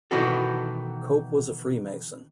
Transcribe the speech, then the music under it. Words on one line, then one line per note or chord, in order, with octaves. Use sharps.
Cope was a Freemason.
B2 D#3 E3 B3 F#4 A4